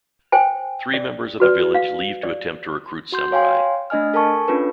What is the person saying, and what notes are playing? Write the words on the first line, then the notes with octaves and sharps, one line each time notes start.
Three members of the village leave to attempt to recruit samurai.
C5 G5 G#5
D5
F#4 B4 D5
F5
D5
F#4 C6 G6
C#5 F5 G5 G#5 C6
A3 D4 D#5 G#5 F6
A4 A#4 G#5 A5 C#6
C#4 D4 F4 A4 B4